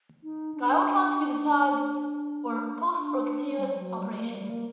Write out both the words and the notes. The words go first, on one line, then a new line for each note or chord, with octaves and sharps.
Gyrotrons can be designed for pulsed or continuous operation.
D#4
D4
D4
G3
G3
F#3
G3
A#3
G3
A#3